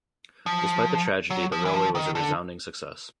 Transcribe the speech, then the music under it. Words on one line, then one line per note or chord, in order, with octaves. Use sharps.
Despite the tragedy the railway was a resounding success.
F3
F#3
F3
E3
F3
D#3
D3